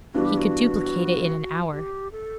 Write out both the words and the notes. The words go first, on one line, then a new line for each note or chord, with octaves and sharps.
He could duplicate it in an hour.
G2 E3 B3 D4 F#4
G4
F#4
G4
A4